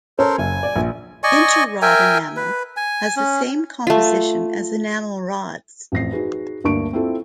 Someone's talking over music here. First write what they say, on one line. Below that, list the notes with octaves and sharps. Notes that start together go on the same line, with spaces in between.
Interrod enamel has the same composition as enamel rods.
C#4 A4 A#4 C5
F#1 G#5
D5
A#1
D5 D#5 G#5 C#6
A#4 E5 G5 G#5
B4
G#5
C#4
A3 F4
A1 F2 A#6 C7
D#4 F#4 G#4 B4
D2 G2 A#3 D4 C#6 D7
C4 E4 F4 A4